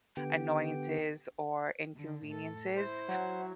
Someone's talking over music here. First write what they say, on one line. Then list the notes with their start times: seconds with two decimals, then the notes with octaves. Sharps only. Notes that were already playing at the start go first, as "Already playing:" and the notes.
annoyances or inconveniences,
0.17 D3 B3 G4 G5
1.97 D3
2.27 A2 A4
2.76 E4 C5
3.09 F#3 F#5